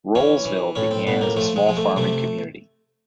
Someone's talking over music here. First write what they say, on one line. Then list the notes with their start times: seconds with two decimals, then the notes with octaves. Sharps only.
Rolesville began as a small farming community.
0.15 E3 C#4
0.45 E3
0.75 A2 C#4
0.91 C4
1.07 A2 B3
1.21 A#3
1.37 F3 A3
1.56 G#3
1.66 F3 G#3
1.77 A3
1.97 C3 A3